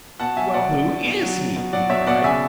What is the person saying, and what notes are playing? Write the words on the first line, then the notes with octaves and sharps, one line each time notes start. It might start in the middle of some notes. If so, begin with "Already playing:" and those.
"Well, who IS he?" he cried.
B2 F#5 A5
F#3 E5 G#5
B2 D5 F#5
B2
B2
B2
F#3
F#3
B2
F#3 D5 F#5
B2 C#5 E5
B2 D5 F#5
C#3 E5 G#5